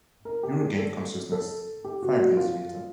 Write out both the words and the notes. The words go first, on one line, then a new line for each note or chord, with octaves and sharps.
He regained consciousness five days later.
A#4
G4
G#4
A4
A4
G4
F#4
F#4
F4